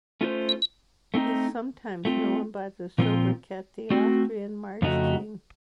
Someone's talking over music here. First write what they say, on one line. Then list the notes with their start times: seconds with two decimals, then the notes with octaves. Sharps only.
He is sometimes known by the sobriquet "The Austrian March King".
0.21 A3 C#4 F4 C5
1.14 A3 C4 D#4
2.05 A3 C4 F4
2.98 A#2 F3 C4 F4
3.90 A3 C4 F#4
4.82 F2 C#3 A3 D#4 F#4